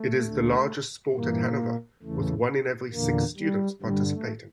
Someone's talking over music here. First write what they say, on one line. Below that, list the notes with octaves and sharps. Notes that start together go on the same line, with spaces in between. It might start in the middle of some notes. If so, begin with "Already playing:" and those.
It is the largest sport at Hanover, with one in every six students participating.
Already playing: A3
D2 D3
G2 A#2 E3 A#3
E2 C#3 E3 A3
E2 A#2 D3 A#3
G3
G2 D3 G3
A3